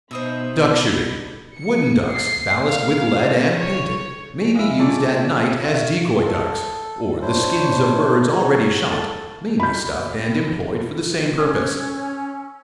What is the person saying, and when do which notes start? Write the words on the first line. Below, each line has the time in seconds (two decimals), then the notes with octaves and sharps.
Duck-shooting.--Wooden ducks, ballasted with lead, and painted, may be used at night as decoy-ducks; or the skins of birds already shot, may be stuffed and employed for the same purpose.
0.11 B2 D#4 C5 D#5 E5 B5
1.56 C#7
2.15 C7
2.67 F5
3.57 C#5
4.55 G#3 E4 E5 F5
4.79 A3 F4 G#4 D5
5.64 C#5 E5 F5
6.26 A4
7.22 D4 E4 C5 C#5
8.29 G#4 C#5
8.92 A4
9.60 B5 G6
11.38 C#4 C#5 E6